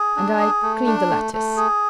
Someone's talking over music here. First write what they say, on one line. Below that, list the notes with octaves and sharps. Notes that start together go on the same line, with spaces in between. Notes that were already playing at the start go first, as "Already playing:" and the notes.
And I--cleaned the lettuce.
Already playing: G#4
D4
G#4
A3
D4
A3
A3
G#4